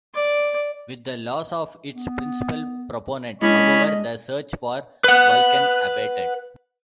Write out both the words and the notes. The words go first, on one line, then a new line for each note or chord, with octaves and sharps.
With the loss of its principal proponent, however, the search for Vulcan abated.
D5
B3
G#3 C#4 D4 E4 C#5 D#5 B5
B4 F#5